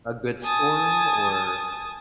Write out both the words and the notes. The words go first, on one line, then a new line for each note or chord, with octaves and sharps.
A good storm or
G#5 A5 D#6